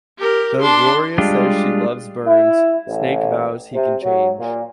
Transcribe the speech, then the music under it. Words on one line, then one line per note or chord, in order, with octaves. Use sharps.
Though Gloria says she loves Burns, Snake vows he can change.
G4 A#4
D4 C6
G3 G#3 D4 F4 G4
E4
A1
C3
F#3
A#2